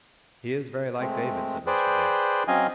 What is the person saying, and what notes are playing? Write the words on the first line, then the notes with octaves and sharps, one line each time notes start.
'He is very like David!' said Mr. Dick.
G#3 A3 C4
G#4 B4 C5 D5 G5
F#3 C4 C#4 D#5 F5 G#5